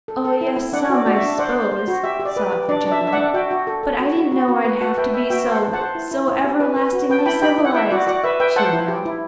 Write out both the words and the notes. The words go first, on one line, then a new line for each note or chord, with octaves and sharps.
"Oh, yes, some, I s'pose," sobbed Virginia, "but I didn't know I'd have to be so--so--everlastingly--civilised!" she wailed.
A4
A4
E4
E4
D4 D5 F#5
F#4 D5
F#4 D5
E5
D4
C5 D5 F#5
C5
C5
F#4
G4 E5
G4
D5
B4
G4
D4 D5
D4
E5
D4
E5
D4 D5 F#5
F#4 E5 G5
F#4
A4
A4
F#4
F#4
F#4
F#4
B4
F#4 F#5 A5
B4 E5 G5
B4 E5
F#4 E5 G5
C5
F#5 A5
C5
F#5 A5
C5
E4
E4
E4
G4
B4
B4
F#4
B4 G5
A5
E4 G5 B5
G4 G5 B5
E4
F#5
E4 E5 G5
F#4 D5 F#5
F#4 D5 F#5
B4 E5
B4 E5 G5
C5 F#5 A5
E4
G4
E4